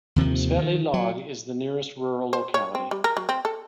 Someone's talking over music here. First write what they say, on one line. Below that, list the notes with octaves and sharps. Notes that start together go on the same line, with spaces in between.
Svetly Log is the nearest rural locality.
D#2 C3 D#3 F3
D#3
F#3
C5
C#5
C4
G3
A#4
F#3
C4
A4